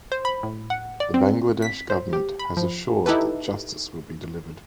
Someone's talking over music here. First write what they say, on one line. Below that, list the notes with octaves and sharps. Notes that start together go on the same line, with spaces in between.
The Bangladesh government has assured that justice will be delivered.
C5
B5
A2
F#5
D5
C4
B6
C5
G4
B5
F3
D#4 E4 G4 A4 B4